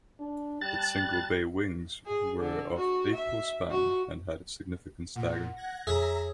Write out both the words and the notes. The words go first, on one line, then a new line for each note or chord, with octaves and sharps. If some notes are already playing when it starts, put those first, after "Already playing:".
Its single bay wings were of equal-span and had significant stagger.
D4
G3 A5 F#6 A6
G#4
D3
F#4
E5
F#4
A#2 F#5
F#6 G#6 A#6
F2 G#4 C#5 E5 A#5